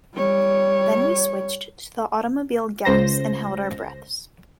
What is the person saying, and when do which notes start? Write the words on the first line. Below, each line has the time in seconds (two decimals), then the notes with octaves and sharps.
Then we switched to the automobile gas and held our breaths.
0.15 G3 C#5
2.85 C#2 C5 A#6